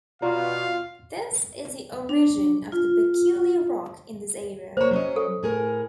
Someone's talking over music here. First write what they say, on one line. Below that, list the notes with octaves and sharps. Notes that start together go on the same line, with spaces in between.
This is the origin of the peculiar rock in this area.
B2 F4 F#4 D5 F5 A#5
D4
F4
A#3 C5 C#5 A#5
F#3 C#4 D#5
A4
A2 G#4 A#4